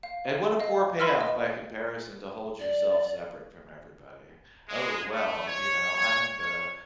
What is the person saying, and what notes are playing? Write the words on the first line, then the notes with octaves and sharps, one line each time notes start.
and what a poor payoff by comparison to hold yourself separate from everybody. "Oh, well, you know, I am the
F5
D#5 F5
B4 B5 C6 E6 F6
D#5
D5
G#3
A3
C#5
C#5
C#5